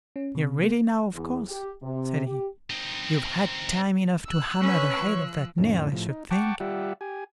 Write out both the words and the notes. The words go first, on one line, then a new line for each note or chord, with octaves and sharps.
'You're ready now, of course', said he; 'you've had time enough to hammer the head of that nail, I should think.'
C#4
C3
A#3
E2
G4
C3
G4
C4 D#4
E6 F#6
C#4 B4 C#5 C#6
F3
F2 A2 D#3 C#4
A2 F3
D#4
F#5 G5 A5 C#6 D6
G3 F4 G4 D5 E5 F#5
G4 G#5